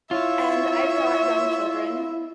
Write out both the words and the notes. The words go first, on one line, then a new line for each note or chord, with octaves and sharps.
And I've got young children,
E4 F4 C#5 E5